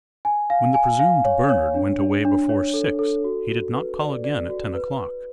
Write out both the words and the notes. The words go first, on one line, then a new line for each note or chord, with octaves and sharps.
When the presumed Bernard went away before six, he did not call again at ten o'clock.
G#5
F5
G#5
F5
C#5
C#5
D4
D4
D4
C#5
A4
A4
F#4
F#4
B4
D5
D5
F#4
B4
B4